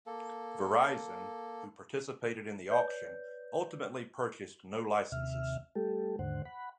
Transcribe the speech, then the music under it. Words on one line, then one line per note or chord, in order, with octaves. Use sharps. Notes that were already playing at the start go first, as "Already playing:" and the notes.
Verizon, who participated in the auction, ultimately purchased no licenses.
A#3 A4
B4 C#5 D5 G6
D#2 C3 E5 F6
G3 A3 G4 A4
D#2 G#2 D3 C5 F#5
F#5 B5